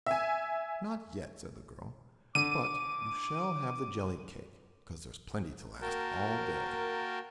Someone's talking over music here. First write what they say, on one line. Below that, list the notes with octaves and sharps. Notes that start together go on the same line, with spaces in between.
"Not yet," said the girl, "but you shall have the jelly-cake, 'cause there's plenty to last all day."
E5 G#5
D3 D6 D#7
A#3 F#4 A#4 G5 A5